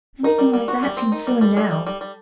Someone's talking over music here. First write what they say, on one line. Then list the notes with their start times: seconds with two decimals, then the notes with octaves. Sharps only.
Anything like that seems silly NOW.
0.23 D#4 A#4
0.38 G3
0.53 G3
0.68 F#4
0.83 G3
0.97 C4
1.12 D#4
1.27 G3
1.41 G3 A4
1.57 G3
1.71 G3
1.87 G3
2.01 G3